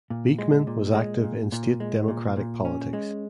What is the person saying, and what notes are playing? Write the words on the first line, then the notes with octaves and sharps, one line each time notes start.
Beekman was active in state Democratic politics.
A#2
G#3
A#2
G#3
A#2
A#2
G#3
A#2
A#2
C#4
G#3